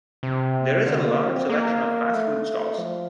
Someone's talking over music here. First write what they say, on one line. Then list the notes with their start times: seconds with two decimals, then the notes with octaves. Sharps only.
There is a large selection of fast food stalls.
0.23 C3
0.87 D3
1.07 A#3
1.29 C4
1.50 A#3
2.14 A3
2.78 F3